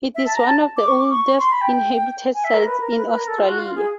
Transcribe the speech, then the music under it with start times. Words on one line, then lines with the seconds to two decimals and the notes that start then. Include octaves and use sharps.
It is one of the oldest inhabited sites in Australia.
0.15 E5
0.26 A5
0.35 A#5
0.46 A5
0.77 D6
0.88 C#6
0.98 D6
1.09 C#6
1.25 C#6
1.40 C6
1.51 B5
1.61 G5
2.34 G#5
2.44 E5
2.54 A#4
2.66 B4
2.81 A#4
2.97 B4
3.07 B4
3.17 A#4
3.28 A4
3.38 F4
3.48 F#4
3.59 F4
3.75 G#4